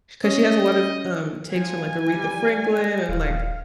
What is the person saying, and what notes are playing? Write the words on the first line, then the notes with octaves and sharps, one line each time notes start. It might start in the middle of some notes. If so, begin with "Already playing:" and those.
'cause she has a lot of, um, takes from, like, Aretha Franklin, and, like,
C#4 D#5
F3 G#5
G3
D#1 F5